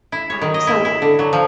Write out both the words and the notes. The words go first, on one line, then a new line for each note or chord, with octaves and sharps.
um so,
E4
C#5
D#3
D#5
E4
E4
D3
F#3
F3